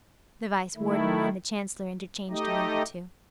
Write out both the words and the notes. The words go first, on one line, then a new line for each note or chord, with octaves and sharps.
The Vice-Warden and the Chancellor interchanged a wink or two.
D#3 A3 E4
A3 D#4 G4 D#5